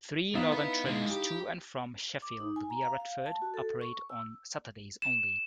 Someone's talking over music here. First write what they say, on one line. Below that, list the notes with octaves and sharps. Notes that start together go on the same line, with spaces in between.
Three Northern trains to and from Sheffield via Retford operate on Saturdays only.
B3 D#4 E4 F5
B3 B4
D3 G#3
G4
D6
D#4
G#5
A#5
F5
F5
A5
F#4
A4
C#6
E6
E7